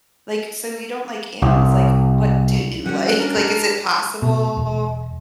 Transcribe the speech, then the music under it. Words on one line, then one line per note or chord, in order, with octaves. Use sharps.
like, so you don't like animals, like, what do you like? Like, is it possible
C2
G3 C#4 F#4 F#5
D4 A#4
B2
E1